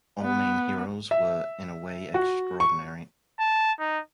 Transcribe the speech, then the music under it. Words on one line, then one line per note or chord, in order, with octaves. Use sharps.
All main heroes were in a way extraordinary.
B3
E5
F#4
C#6
A5
D#4